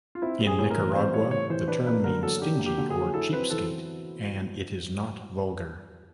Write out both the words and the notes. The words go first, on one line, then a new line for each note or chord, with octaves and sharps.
In Nicaragua, the term means "stingy" or "cheapskate" and it is not vulgar.
F4
C4 E4
G3
G#4
A2
A#4
E3
C4 C5
G3 C#5
A2 C#5
E3 C5
D4 B4
A#3 B4
D3 A#4
F#3 A4
D4 G4
A#3
G4
D3
G#4
F#3
E4 A4
C4 B4
E3 A4